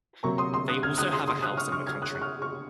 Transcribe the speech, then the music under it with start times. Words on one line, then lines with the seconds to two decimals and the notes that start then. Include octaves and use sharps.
They also have a house in the country.
0.23 C3 F#3 A#3 A#5 C#6
0.38 C6 D#6
0.53 C6 D#6
0.68 D#6 F#6
0.83 F6 G#6
0.98 D#6 F#6
1.12 C6 D#6
1.27 C6 D#6
1.42 D#6 F#6
1.57 C#6 F6
1.72 C#6 F6
1.87 F6 G#6
2.02 D#6 F#6
2.15 F#6
2.21 C#6 F6
2.42 C#6 F6